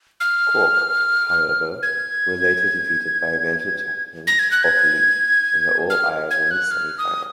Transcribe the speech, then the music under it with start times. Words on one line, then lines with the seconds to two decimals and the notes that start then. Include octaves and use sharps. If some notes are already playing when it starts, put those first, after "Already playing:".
Cork, however, were later defeated by eventual champions Offaly in the All-Ireland semi-final.
0.20 F6
1.83 G#6
4.27 A#6
4.39 G#6
4.51 F#6
4.63 G#6
5.90 F6
6.31 G#6
6.51 F#6
6.71 F6
6.98 D#6